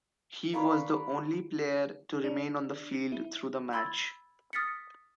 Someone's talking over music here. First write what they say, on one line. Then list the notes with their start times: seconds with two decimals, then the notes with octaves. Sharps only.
He was the only player to remain on the field through the match.
0.53 A#3 B4 C#5 D5
2.24 D4
3.12 E4
3.73 B5 C6 E6 G#6 A6
4.53 D#6 F6 A6 B6 C#7